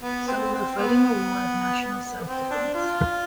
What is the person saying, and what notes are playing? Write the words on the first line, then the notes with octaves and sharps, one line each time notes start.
So we were fighting a war of national self-defence.
B3
C4
C4
B3
C4
D4
F4